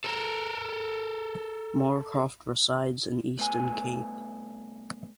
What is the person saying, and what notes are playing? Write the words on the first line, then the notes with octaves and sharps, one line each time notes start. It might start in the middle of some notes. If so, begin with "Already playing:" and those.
Moorcroft resides in Eastern Cape.
A4 A#4
C2 A3 B3 G#5